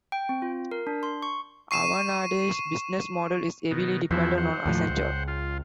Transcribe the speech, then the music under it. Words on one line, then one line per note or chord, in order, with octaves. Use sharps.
Avanade's business model is heavily dependent on Accenture.
G5
C4
F4
A#4
D4
C6
C#6
C#6 C7 D#7 E7
B2 D#3
E2 F3 E4 F#4 C5
C5 F#5
D#2 A2 F3
C#2
F4